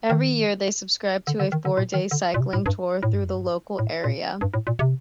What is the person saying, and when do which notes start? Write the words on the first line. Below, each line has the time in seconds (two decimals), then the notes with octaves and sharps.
Every year they subscribe to a four-day cycling tour through the local area.
0.10 D#3
1.27 D3
1.40 D3
1.52 D#3
1.65 D3
1.77 A#2
1.94 D#3
2.11 D3
2.34 A#2
2.41 C3
2.53 A2
2.66 G2
3.03 A2
3.13 G2
3.24 F2
3.35 G2
3.79 A2
4.04 A#2
4.41 G2
4.54 A2
4.67 A#2
4.79 C3